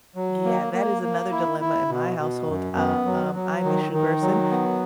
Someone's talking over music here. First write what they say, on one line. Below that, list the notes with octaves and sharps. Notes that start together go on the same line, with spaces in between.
Yeah, that is another dilemma in my household. Um, I'm a shoe person.
F#3
A#3
A#3
A#3
E4
E4
B2
B2
F#2
B3
F#3
F#3
D#3
D#3
F#3
B3